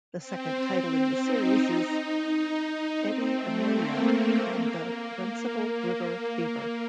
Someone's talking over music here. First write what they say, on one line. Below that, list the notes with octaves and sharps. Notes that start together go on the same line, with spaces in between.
The second title in the series is "Edie Amelia and The Runcible River Fever".
C4
D#4
D#4
D#4
C4
A3
A#3
A#3